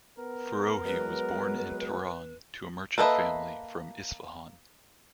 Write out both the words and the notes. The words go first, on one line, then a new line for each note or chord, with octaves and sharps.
Foroughi was born in Tehran to a merchant family from Isfahan.
B3 A#4
F#3 G#3 B4
A#3 A4 B4 D#5 E5